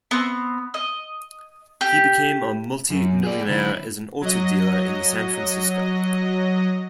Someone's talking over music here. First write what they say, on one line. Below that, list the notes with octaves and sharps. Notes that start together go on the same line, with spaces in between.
He became a multi-millionaire as an auto dealer in San Francisco.
B3 C4
D#5
G4
F#2
G#4 D5
D3 E4
F#3 D#5